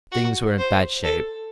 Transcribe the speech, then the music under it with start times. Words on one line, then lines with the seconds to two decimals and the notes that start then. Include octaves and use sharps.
Things were in bad shape.
0.12 F#4
0.58 C5
1.04 A4